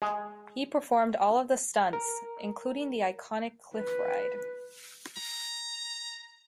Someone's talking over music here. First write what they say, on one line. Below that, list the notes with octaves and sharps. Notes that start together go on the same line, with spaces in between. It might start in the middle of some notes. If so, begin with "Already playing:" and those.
He performed all of the stunts, including the iconic cliff ride.
G#3
A#4
B4
A#5